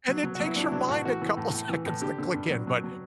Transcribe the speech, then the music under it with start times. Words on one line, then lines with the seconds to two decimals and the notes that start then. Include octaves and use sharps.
and it takes your mind a couple seconds to click in but
0.08 F#3
0.23 F#3
0.35 F#3 F#4
0.46 E4
0.56 F#3 D4
0.64 E4
0.72 F#3 D4
0.88 A2 F#4
1.05 E3 F#4
1.22 E3
1.37 A2
1.53 A2
1.69 E3
1.85 A2
2.02 D3 G4
2.19 D3
2.34 G2
2.50 F#3
2.67 F#3
2.84 F#3